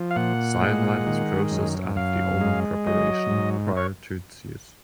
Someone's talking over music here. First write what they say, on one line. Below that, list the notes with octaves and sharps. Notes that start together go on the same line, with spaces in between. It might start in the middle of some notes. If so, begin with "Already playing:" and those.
Cyanide is processed out of the almond preparation prior to its use.
Already playing: F3
F5
A#2 F#5
G#3
D#3
F#2
F#2 F5
G#3
F#3 D#5
G#2
C#5